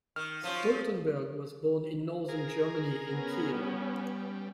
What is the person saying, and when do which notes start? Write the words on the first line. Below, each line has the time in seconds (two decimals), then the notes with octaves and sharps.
Stoltenberg was born in northern Germany in Kiel.
0.16 D#3 F6
0.44 F3 F#3 C#4 F4
2.28 G#4 A#4
3.09 B3 C#4
3.53 G3